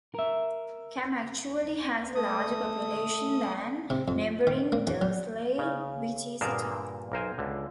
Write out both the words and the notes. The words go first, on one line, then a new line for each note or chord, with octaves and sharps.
Cam actually has a larger population than neighbouring Dursley, which is a town.
A#4 E5
A3 D#6
C3
F2
D#3
A#3
E2
F#3
C#3
G2 A#2 D3 G#4 A#4 A5
B1 A#4 C5 G#5
C#2 D3